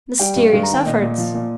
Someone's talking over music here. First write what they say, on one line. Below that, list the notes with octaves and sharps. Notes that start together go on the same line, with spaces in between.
Mysterious efforts!
G3 G5
G2
G2
A#5
D#3 G5
A#2 D#5
A#2
F3
A#2